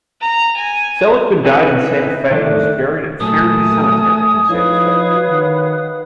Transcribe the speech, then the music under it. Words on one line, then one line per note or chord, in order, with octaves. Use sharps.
Seligman died in Santa Fe, and was buried at Fairview Cemetery in Santa Fe.
A#5
G#5
C4 C#4 D#4 E4 B4
D#3 A3 D4
A#2 F#3 A3 A#4 G#5 A5 D#6
F3 D#4 E4 B4 C#5 F5 G#6
F#4
D#3 F#5